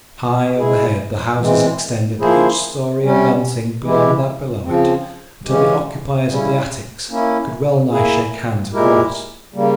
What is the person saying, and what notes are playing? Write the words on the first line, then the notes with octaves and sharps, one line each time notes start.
High overhead the houses extended, each story advancing beyond that below it until the occupiers of the attics could well-nigh shake hands across.
G#3 E4 G#4
E3 G#3 C4
F3 A#3 E4 G#4 C5
C3 G3 C#4
E3 G#3 E4 G4
C#3 F3 C4
C#3 E3 G#3 C#4 G4
C#3 G3 C#4 E4
A#3 C#4 E4
A#3 E4 G#4
A#2 G#3 E4 G4 A#4
C#3 G3 A#3